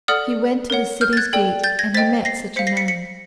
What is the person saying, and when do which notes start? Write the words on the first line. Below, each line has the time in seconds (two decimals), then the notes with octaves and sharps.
He went to the city's gate and he met such a man.
0.08 A4 D5 F#5 D#6 F6
0.70 A#4 C#5 F#5
1.01 F6 G6
1.13 A6
1.17 F#6 G#6
1.33 A4 D5 G5
1.64 G6 A6
1.79 G#6 A#6
1.94 C5 D#5 G5 A6 B6
2.25 A#6 C7
2.56 C5 F5 B6 C#7
2.67 A#6 C7
2.77 B6 C#7
2.88 B6 C#7